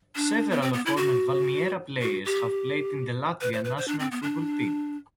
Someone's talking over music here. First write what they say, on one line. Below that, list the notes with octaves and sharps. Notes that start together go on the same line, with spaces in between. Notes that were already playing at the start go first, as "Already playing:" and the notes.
Several of former Valmiera players have played in the Latvia national football team.
D4
B3
C4
B3
E4
F#4
F#4
G4
B4
C5
B4
C5
D4
C4
B3
D4